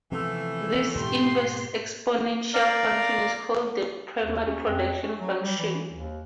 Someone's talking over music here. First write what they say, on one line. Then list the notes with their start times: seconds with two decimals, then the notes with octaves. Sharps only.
This inverse exponential function is called the primary production function.
0.11 C3 E3 F3 A3 B3
0.95 G#2 B2 G4 C6
2.54 A#4 D5 F5
4.22 D#2
4.47 C#4
4.66 F2
5.02 C#4
5.19 F#3
5.43 G3
5.58 E3
5.91 D#2